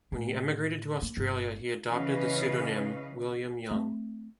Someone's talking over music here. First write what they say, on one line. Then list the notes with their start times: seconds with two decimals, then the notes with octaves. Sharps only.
When he emigrated to Australia he adopted the pseudonym William Young.
0.12 A2
1.02 A#3
1.17 G1
1.90 C#3 E3 C#4 B4 D#5 F5
3.71 A3 C4